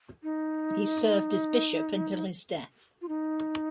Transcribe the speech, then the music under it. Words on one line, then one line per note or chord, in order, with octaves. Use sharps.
He served as bishop until his death.
D#4
F4
D#4